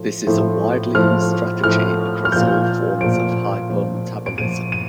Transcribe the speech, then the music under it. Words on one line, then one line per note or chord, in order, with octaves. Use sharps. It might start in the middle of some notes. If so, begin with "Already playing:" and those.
This is a widely used strategy across all forms of hypometabolism.
Already playing: A2 F3
A2 F3
A2 F3 F6
A2 F3 F6
F6
A#2 F3 G6
A#2 F3 D7
A#2 F3
D7
A#2 F3 D#7
D#7